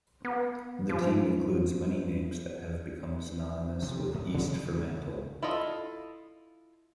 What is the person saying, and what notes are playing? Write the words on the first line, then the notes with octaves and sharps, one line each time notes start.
The team includes many names that have become synonymous with East Fremantle.
B3
F3
C3 F3
D2 G#2
G2 C3 D#3 E3
G#2 C#3
C#2
E4 F4 A4 D#5